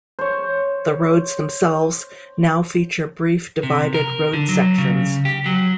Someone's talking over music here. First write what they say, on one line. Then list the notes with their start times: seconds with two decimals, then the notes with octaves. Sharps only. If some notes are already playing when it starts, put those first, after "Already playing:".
The roads themselves now feature brief divided road sections.
0.19 C5 C#5
3.63 C3
3.94 A#4
4.33 D3
4.49 F#3
4.78 C#3
5.25 G4
5.46 F#3